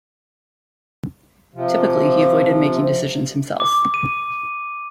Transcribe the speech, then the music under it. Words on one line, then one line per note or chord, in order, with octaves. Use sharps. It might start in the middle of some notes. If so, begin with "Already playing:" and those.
Typically, he avoided making decisions himself...
C3 F3
D6
D#7